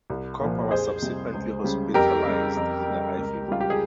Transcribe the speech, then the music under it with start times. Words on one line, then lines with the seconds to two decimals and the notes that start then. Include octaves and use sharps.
Cooper was subsequently hospitalized with a high fever.
0.10 C2
0.41 A#2 F3
0.71 F2 G#4 C5
1.02 C3 G3
1.34 C#2
1.64 C#3 G3
1.94 F2 G4 A#4
2.25 C#3 G3
2.57 F2
2.87 C#3 G3
3.18 C#2
3.48 C#3 G3 F4
3.61 G4
3.70 G#4